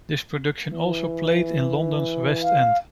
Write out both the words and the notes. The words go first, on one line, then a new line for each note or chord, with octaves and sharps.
This production also played in London's West End.
E3
F5